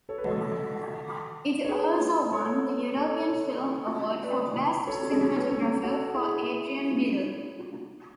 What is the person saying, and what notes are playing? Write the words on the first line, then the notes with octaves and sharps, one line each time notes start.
It also won the European Film Award for Best Cinematographer for Adrian Biddle.
A4 C#5
B4
F#4 A4
C#5
G#4 B4
A4 C#5
A4 C#5
B4 D5
A4 C#5
G#4
A4
B4
A4 C#5
F#4 A4
E4 G#4